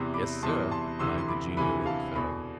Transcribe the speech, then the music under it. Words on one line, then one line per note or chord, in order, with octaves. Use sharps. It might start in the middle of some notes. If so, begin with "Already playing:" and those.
"Yes, sir," replied the genial old fellow.
Already playing: E2 C3 E3 C6 E6
B5 D6
E2 C3 E3 A5 C6
A5 C6
D2 C3 E3 C6 E6
C6
B5 D6
D2 C3 E3 G#5 B5
F5 A5
E2 B2 G#5 B5